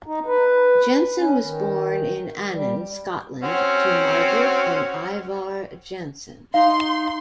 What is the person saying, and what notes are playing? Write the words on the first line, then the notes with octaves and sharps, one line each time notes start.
Jensen was born in Annan, Scotland to Margaret and Ivar Jensen.
D#4
B4
C#4
D#3
G3
C4 C#4 F#4
D#4 F5 C6